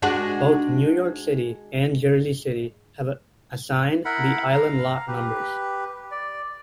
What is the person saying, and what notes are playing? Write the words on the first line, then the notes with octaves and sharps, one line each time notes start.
Both New York City and Jersey City have assigned the island lot numbers.
G#3 D4 F#4
E4 A#4 F#5 B5
F5 A#5
G4 B4
D5